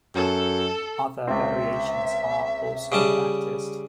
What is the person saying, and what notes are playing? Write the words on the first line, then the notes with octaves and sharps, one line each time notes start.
Other variations are also practiced.
F#2 A4
C#2 C4 E5
C#3 G3 A5